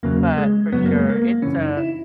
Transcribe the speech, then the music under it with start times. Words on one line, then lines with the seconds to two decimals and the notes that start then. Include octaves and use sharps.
but for sure, it's, uh
0.03 E2 C#3 F#3 A#3
0.38 G#3
0.72 F#2 C#3 F#3 B3
0.85 A#3
0.97 G#3
1.10 A#3
1.42 F#2 C#3 E3 C#4
1.60 D#4
1.77 E4